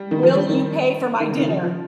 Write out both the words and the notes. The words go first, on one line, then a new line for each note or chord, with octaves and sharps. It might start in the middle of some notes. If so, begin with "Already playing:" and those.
"Will you pay for my dinner?"
Already playing: G3
D#3
F3
G3
D#3
D#3
C#3
D#3
F3
F3